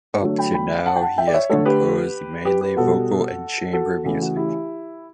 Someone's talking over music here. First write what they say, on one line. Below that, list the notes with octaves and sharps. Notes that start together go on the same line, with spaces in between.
Up to now he has composed mainly vocal and chamber music.
D3 F#3 A3
G5 B5
G5 B5
F#5 A5
G5
F#5 A5
E5 G5
D5
C#5 E5
D3 A3 A4 C#5
G4 B4
G4 B4
G4 B4
B2 G3 F#4 A4
F#4 A4
C#3 E3 A3 F#4 A4
F#4
E4 G4